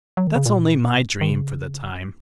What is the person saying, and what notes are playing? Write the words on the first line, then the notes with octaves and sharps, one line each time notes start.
That's only my dream for the time.
F#3
D#3
C#3
A#2
D#3
C#3